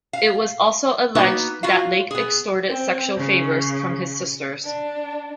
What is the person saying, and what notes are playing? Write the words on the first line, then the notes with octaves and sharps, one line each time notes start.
It was also alleged that Lake extorted sexual favors from his sisters.
F5
A#3 B3 D#4 F#4
F4 F#4 F5
B3 G#4
C4
C#3
D4